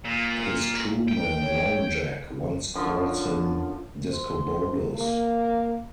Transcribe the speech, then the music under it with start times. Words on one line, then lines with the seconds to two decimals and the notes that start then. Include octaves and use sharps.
His crewman 'Long Jack' once calls him "Discobolus".
0.05 A#2
1.08 G5
1.43 C#5
2.75 F#2 D3 F3
4.09 C5
4.95 A#3